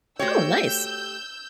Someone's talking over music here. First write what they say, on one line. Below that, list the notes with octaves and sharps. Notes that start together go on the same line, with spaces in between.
Oh, nice.
A3 F#4 G4 C5 C#5 E6 G6